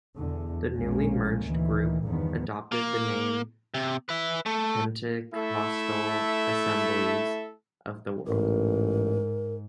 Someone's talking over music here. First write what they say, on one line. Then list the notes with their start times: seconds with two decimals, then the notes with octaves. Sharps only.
The newly merged group adopted the name Pentecostal Assemblies of the World.
0.17 E2 B2 D3
0.75 A#1 B2 F3 G#3 A#3 C#4
1.44 D2 A#2 D#3 E3
2.06 E2 G2 D3 D#3 F3 B3
2.72 A#3
3.74 C3
4.09 B4 E5
4.46 A3
5.33 A3 E4 A4 E5
8.27 A1 G#2 A#4